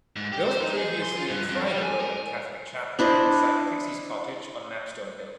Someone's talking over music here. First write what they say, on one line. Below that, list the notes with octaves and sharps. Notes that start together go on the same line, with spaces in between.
There was previously a private Roman Catholic chapel, beside Pixies Cottage on Mapstone Hill.
G#2
G4
C5
D#4
G#4
C6
F4
G2
F2
G3
G#5
A#4
D4 E4 C5 D#5